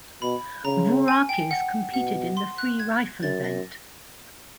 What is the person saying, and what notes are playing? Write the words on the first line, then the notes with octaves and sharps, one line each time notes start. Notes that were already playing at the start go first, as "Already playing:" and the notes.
Vourakis competed in the free rifle event.
B2 B5
C#3 A#5
G#5
G5
F#5
B2 F#5
C6
F#6
G#6
F#2 A6
A#6